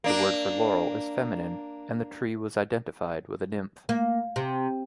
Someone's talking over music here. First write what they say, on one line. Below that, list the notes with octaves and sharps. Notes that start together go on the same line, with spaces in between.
The word for laurel is feminine and the tree was identified with a nymph.
A#3 D4
A#3
C3